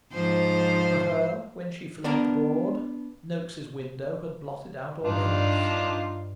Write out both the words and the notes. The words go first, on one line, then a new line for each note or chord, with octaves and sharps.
For her, when she fled the Broad, Noaks' window had blotted out all else.
G#2 F3 C5
B3 D4 A#4
G2 D4 D#4 F4